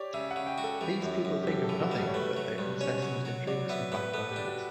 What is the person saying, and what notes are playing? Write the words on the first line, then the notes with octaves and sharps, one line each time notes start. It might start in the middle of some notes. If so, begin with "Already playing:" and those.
These people think of nothing but their incessant intrigues and backbitings.
Already playing: G4 C#5 D5
C#3 E5
F#5
C#3
G5
F#4
A4
E3 G4
F#2
F#2
G4
F#2 A4
A4
E3
F#4
G3
A4
C#5
A3 B4
F#3
G2
C#4 C#5
F#3
F#3
F#3 D5
B3 E5
B3 B4
B3 A4
G4
D4
F#4